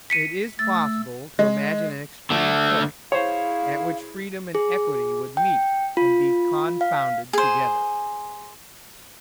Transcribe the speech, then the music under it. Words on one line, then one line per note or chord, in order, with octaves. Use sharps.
It is possible to imagine an extreme point at which freedom and equality would meet and be confounded together.
B6 C#7 D#7
A3 E6 A6
G#3
D3 A3
E4 G#4 C5 C#5 F5
G#4
G5
F4
F5
G#4 C5